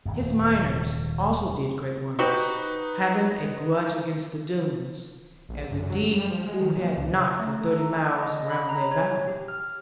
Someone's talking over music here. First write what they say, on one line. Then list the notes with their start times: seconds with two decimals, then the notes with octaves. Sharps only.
His miners also did great wonders, having a grudge against the Doones; as indeed who had not for thirty miles round their valley?
0.05 D#1 F2
2.19 C4 D#4 F#4 G4 B4
5.49 A#1
5.71 F#2
5.90 F#3
6.04 F#2
6.16 G3
6.31 F3
6.46 G#3
6.61 D#3
6.76 A#2
6.97 C#2
7.13 C#3
7.40 A3
7.61 A4
7.74 A#5
8.22 D#5
8.50 B5
8.69 A#5
8.91 C#5
9.28 G4
9.48 F6